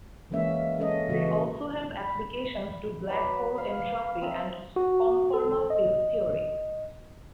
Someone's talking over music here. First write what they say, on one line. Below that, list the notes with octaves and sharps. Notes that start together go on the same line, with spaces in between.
They also have applications to black hole entropy and conformal field theory.
E3 G#3 A#3 C#4 E5
G#3 A#3 C#4 A4 D#5
A#2 C#3 E3 F#4
B5
F#3 B4 D5
F5
C4 D#4 E5 A5
F#4
A4
D#5